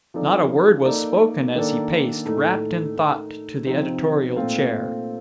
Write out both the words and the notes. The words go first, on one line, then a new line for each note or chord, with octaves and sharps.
Not a word was spoken as he paced, wrapped in thought, to the editorial chair.
F3 C4 D#4 A4 D5
A#3 D#4 A4 D5
D#3 A#3 D4 A4 D5
A2 A3 D#4 A4
A3 D#4 A#4
C3 F3 C4 D#4
A#2 A3 C4 F4